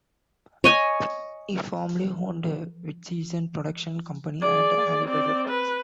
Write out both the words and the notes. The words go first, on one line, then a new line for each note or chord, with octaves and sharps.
He formerly owned Witchseason production company and Hannibal Records.
C#5 D#5 G#5
G#4 D5
C4 D5
B4